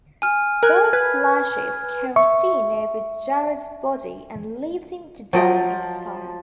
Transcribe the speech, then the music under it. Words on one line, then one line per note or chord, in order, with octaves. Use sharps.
Burke splashes kerosene over Jarrod's body and leaves him to die in the fire.
G#5 F6
A#4 F6 F#6 G#6
B4 G#6
E5 C#6
F3 F#3 D#5 G5